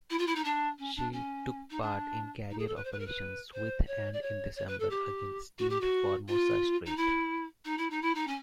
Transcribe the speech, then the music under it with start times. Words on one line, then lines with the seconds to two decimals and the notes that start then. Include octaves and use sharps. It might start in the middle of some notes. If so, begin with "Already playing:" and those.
She took part in carrier operations with and in December again steamed Formosa Strait.
0.10 E4
0.19 F4
0.27 E4
0.36 D#4
0.45 D4
0.79 C#4
0.96 D4
1.13 C#4
1.71 D#4
1.82 D4
2.50 D#4
2.59 G#4
2.68 A4
2.76 B4
2.84 C5
2.92 B4
2.99 A#4
3.06 B4
3.53 C5
3.87 C#5
4.13 D5
4.22 C#5
4.56 C#5
4.68 B4
4.80 A4
4.90 G4
5.59 F#4
5.70 G4
5.81 F#4
6.28 F4
6.86 D#4
6.97 E4
7.65 D#4
7.78 E4
7.90 D#4
8.02 E4
8.15 D#4
8.27 C#4